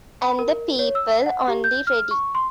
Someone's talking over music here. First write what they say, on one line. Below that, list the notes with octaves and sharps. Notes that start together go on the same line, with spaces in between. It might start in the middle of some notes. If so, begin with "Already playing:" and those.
And the people only ready!
B5
A#4
C#5
E6
F#5
G4
G6
F6
C#6
C6